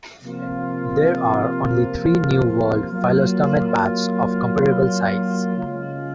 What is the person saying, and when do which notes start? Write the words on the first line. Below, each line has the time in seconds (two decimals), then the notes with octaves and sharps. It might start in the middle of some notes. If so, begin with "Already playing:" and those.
There are only three New World phyllostomid bats of comparable size.
0.22 C3 F3 A#3 F4
2.89 F#3 A#3 F4
5.58 C#3 G#3 C#4 F4